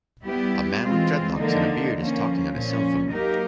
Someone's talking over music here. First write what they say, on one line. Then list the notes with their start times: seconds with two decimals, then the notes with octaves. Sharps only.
A man with dreadlocks and a beard is talking on his cellphone.
0.25 G3 B3 E4 G4
0.82 E3 G#3 C4 F4
1.39 D3 F3 A#3 D#4
1.96 F3 A#3 C#4
2.53 A#2 F3 A#3 C#4
3.10 F#3 A#3 D#4 G4 A#4